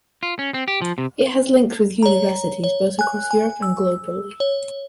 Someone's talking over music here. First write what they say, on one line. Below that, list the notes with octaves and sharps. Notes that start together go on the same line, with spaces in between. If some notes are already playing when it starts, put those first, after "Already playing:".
It has links with universities both across Europe and globally.
F4
C#4
C4
G4
F3
C3
C#5 A#5
C#5
G#5 F#6
G#5
E6
C#5